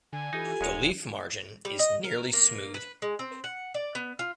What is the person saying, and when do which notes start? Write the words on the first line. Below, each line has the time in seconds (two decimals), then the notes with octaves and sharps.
The leaf margin is nearly smooth.
0.13 D3 G#5
0.33 E3 D#4 F4 G4 A4
0.61 D#1 E2 G#3 C#5
1.65 G3
1.79 D#5
2.04 A#4
2.33 A#3
2.74 B4
3.02 G#3
3.19 C4
3.44 F#5
3.74 D5
3.95 B3
4.19 F4